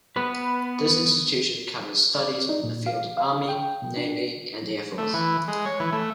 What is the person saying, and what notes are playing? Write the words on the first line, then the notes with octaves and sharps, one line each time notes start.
This institution covers studies in the field of army, navy, and air force.
B3 B4
D5
D#4
A#2
F5
F5
G5
B2
D4
A3
E3
G#3
C#5
E3
A3